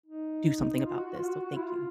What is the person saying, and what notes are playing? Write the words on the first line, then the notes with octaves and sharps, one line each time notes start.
do something about this, so thank you.
D#4
F4
F#4
F#4
F4
F#4
F#4
E4
F4